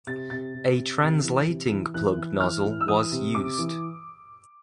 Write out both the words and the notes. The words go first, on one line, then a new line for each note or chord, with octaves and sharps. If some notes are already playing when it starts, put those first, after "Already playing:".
A translating plug nozzle was used.
C3 A6
C3 A6
C3
C3
C3
E3
C3
E3
E3 F#6
E3
E3 F6
E3
E6
E3 D#6
C3
C3 D6
E3